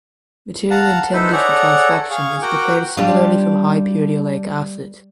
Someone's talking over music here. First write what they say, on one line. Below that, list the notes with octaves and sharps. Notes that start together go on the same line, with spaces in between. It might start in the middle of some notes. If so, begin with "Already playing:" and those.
Material intended for transfection is prepared similarly from high purity oleic acid.
F5 F#5 A5 A#5
D#4 E4 A4 B4 C5
G#4 A4 C#5 D5 F#5 A#5
G#4 F5 C#6
F#4 A#4 F#5 G5 D6
G3 D4 F4